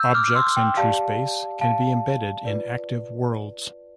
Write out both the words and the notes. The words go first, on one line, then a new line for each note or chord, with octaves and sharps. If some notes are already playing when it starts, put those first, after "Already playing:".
Objects in trueSpace can be embedded in Active Worlds.
Already playing: E6 G6
D6 F6
F6
C6 E6
G5
G4 D5 F5 A5
F5 A5
F4 B4 D5